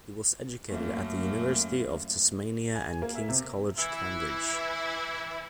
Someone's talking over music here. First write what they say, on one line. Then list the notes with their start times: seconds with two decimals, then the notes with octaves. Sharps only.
He was educated at the University of Tasmania and King's College, Cambridge.
0.69 F#2 A3 A#3
2.76 G#5
3.02 A#3
3.15 E5
3.29 C3
3.77 E3 E4